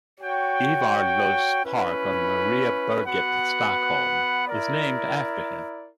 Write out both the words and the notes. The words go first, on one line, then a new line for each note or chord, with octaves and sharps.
Ivar Los park on Mariaberget, Stockholm is named after him.
F#4 C#5 G5
C#4 E4 B4
B3 F#4 B4 F#5
E4 A#4 D5